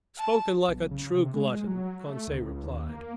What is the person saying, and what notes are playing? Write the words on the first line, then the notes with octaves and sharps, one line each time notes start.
"Spoken like a true glutton," Conseil replied.
A5
B1
C#3
C3
G#3
G#3
F#3
A3
D2
C#2
D#2
A#3